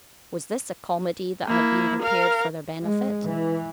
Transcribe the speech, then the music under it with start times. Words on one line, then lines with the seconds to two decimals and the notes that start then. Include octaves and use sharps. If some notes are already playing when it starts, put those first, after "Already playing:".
Was this a comedy that had been prepared for their benefit?
1.48 A#3 E4
2.02 A#4 F5
2.84 G#3
3.24 E3